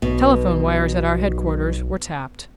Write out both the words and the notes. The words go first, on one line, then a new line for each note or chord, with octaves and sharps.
Telephone wires at our headquarters were tapped.
B1 B2